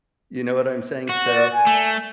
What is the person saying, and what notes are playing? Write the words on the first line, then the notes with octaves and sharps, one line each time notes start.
You know what I'm saying, so
F#4
D5
G#5
A3